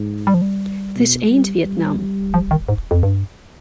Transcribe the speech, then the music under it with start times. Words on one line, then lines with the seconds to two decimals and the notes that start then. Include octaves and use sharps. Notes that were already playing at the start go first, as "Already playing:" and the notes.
This ain't Vietnam.
Already playing: G#2
0.27 G3
0.34 F3
0.42 G3
0.96 B2
1.30 G3
1.65 G3
2.34 F3
2.51 D#3
2.69 G#2
2.91 F2
3.03 G2